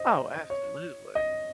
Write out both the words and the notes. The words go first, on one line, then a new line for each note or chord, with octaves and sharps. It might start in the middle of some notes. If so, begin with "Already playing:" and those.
Oh, absolutely.
Already playing: C5 D#5
C#5
D#5